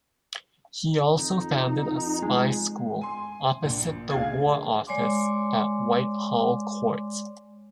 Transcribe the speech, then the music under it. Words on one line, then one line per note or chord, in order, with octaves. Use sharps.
He also founded a spy school opposite the War Office at Whitehall Court.
F2 D#4
G#3
G#5 C6
A#1
D2 G#4 F5 G#6
G#3 C#5 D5 G#5 C6 D6